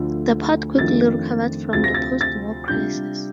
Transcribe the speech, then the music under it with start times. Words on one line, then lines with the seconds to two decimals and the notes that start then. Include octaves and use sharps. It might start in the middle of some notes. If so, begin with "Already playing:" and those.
The port quickly recovered from the post-war crisis.
Already playing: D2 D3 F3 A3
0.78 F2 D#3 A3 D4 F4 A6
1.73 D2 C3 F3 C4 F4 A6
1.84 A#6
1.94 A6
2.21 A6
2.68 C3 G3 D4 F4 G6